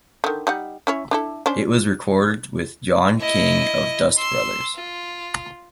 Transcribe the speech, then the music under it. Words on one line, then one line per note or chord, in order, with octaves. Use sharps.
It was recorded with John King of Dust Brothers.
D3 D#3
G3 D#4 F#5
C#4 E4 C#5
D4 E4 A4
C#4 D4 C5
E4 D#5
C6 E6
F4